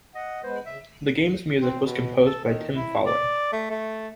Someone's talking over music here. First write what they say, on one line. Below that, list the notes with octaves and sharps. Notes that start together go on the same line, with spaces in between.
The game's music was composed by Tim Follin.
D#5 F#5
G#3 B3 B4 C5
C#3 E5
C4
B2
A4
D#3
E4
D5
A3
A3